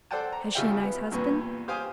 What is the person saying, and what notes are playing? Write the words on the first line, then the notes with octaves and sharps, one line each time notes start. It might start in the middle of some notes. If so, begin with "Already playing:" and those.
"Has she a nice husband?"
A4 C5 D5 F#5 G5 A5
A#5
G#1 C#3 G3 F4 E5 G5
B3
E2 G2 A#2 B3 C#6
G4 C5 F5 G5 G#5 D#6